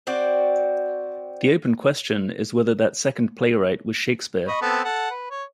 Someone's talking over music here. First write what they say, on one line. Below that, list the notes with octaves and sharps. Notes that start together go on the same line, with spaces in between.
The open question is whether that second playwright was Shakespeare.
C4 F#4 D5
D#5 B5 C#6
B3 C4 A4
A4 F#5
B4
C#5